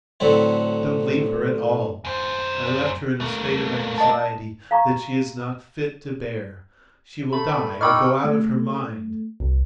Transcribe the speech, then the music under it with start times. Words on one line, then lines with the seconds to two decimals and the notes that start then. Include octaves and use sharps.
Don't leave her at all; I left her in a state of anxiety, that she is not fit to bear; she will die or go out of her mind.
0.20 A2 D3 F#3 C4 E4
2.05 F#2 C5
3.21 A3 A#3
3.98 D#5 A5
4.71 F5 A#5 C#6
7.33 A3 B5
7.81 D#4 D#5 G5 B5 C#6 D6 E6 F6
8.24 A3
9.40 C2